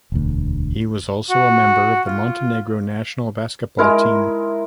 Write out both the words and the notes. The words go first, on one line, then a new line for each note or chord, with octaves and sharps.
He was also member of the Montenegro national basketball team.
E1 D2
F#4
F4
G#3 E4 A#4